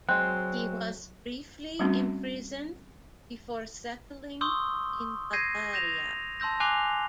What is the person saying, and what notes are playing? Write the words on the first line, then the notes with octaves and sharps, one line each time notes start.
He was briefly imprisoned before settling in Bavaria.
F#3 G#3 C4 F#6
G3 A3 C4 C#4 D#4 F#4
C6 C#6 D#6 E6 G6 G7
G6 G#6 A#6 C7 D#7
G6 A#6 E7 F7
A5 C6 E6 G6 A#6
G#5 D6 F#6 C7 F7 G7